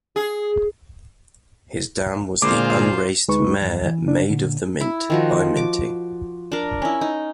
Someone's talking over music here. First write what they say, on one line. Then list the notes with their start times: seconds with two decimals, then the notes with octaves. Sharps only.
His dam was the unraced mare Maid of the Mint, by Minting.
0.16 G#4
2.42 A#2 D3 G#3 A#3 F4 C5 D6
3.28 D2 G#3 D#4 B4 C#6
3.61 E2 G2
3.85 E3
4.06 C#3 D4
4.30 A#2 D3
4.81 E4
5.10 D#3 F3 F#4
5.56 D6
6.52 D4 A#4
6.82 C#4 E4
7.01 D#4